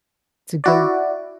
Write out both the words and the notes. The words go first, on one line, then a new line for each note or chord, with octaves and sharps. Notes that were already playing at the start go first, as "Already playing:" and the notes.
to go
E4 F#4 D5